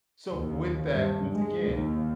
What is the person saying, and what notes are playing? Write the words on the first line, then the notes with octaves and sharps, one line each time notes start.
so with that, once again,
D#2
G2
G#3
D#2